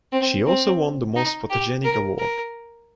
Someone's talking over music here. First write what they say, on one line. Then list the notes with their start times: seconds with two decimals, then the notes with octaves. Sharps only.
She also won the Most Photogenic Award.
0.12 C4
0.47 C4
1.16 D#4
1.50 G4
1.85 A#4
2.19 A#4